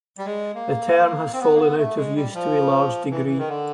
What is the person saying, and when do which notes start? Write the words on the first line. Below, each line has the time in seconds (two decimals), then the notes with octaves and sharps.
The term has fallen out of use to a large degree.
0.18 G3
0.26 G#3
0.55 A#3
1.33 C4
1.40 B3
1.55 A#3
1.59 B3
1.78 A3
1.97 G#3
2.16 G3
2.35 F3
3.11 E3
3.27 E3
3.38 D#3
3.48 D3